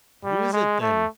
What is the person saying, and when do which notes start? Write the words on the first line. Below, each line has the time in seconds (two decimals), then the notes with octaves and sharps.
"Who is it then?"
0.24 G3
0.53 G#3
0.81 A3